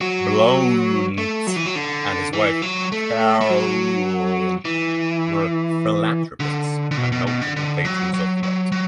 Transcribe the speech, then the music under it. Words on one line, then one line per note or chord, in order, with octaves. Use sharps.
Blount and his wife Carolyn, were philanthropists and notable patrons of the arts.
F#3
A3
F#3
E3
F#3
D3
E3
F#3
A3
A3
F#3
E3
D3
D3
B2
B2
B2
D3
D3
F#3
F#3
F#3
F#3